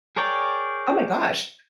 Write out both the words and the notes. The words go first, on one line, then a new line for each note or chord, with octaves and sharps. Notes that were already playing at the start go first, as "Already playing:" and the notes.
Oh my gosh!
G#4 A#4 C#5 D5 G5